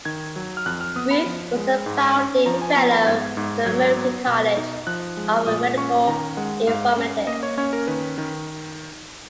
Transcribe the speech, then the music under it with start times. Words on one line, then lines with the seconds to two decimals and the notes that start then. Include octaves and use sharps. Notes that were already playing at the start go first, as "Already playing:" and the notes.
Ruth was a founding Fellow of the American College of Medical Informatics.
0.05 D#3 G#6
0.36 F#3
0.57 F6
0.66 F2 F#6
0.81 F6
0.96 B3 D#6
1.11 B5
1.26 F3
1.56 G#3
1.86 G#2
2.16 C#4
2.46 F3 A#5
2.61 G#5
2.76 B3 A#5
2.92 B5
3.06 G#2 G#6
3.37 G#2
3.66 F#3 G#6
3.97 B3
4.27 B2
4.57 D#4
4.87 F3 F#6
5.17 G#3
5.46 A#2 D#6
5.77 C#4 C#6
6.08 D#3 A#5
6.37 G#3 F#5
6.67 G#2 F5
6.97 C#4
7.27 A#3 D#5
7.43 C#5
7.57 C#4 C#5
7.73 A#4
7.87 D#3 B4
8.18 D#3